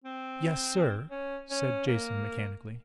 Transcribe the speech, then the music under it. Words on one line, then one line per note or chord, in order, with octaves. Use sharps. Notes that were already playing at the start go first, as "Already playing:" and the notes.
"Yes, sir," said Jason mechanically.
C4
C#4
C#4
A#3